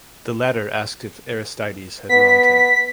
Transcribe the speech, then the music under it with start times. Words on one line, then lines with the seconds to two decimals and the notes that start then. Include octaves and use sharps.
The latter asked if Aristides had wronged him.
2.09 B3 B6